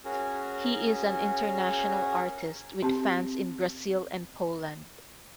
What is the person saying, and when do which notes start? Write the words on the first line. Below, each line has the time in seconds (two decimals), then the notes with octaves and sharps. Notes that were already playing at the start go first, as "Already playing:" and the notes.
He is an international artist with fans in Brasil and Poland.
0.05 C#4 F#4 G#4 A#4
2.83 C4 G4 A5